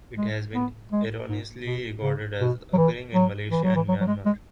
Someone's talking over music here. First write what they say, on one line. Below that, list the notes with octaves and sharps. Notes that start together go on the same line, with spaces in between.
It has been erroneously recorded as occurring in Malaysia and Myanmar.
G#3
B3
G#3
G#2
B2
C#3
B2
F#3
E3
F#3
E3
F#3
E3
F#3
F#3
G#3
G#3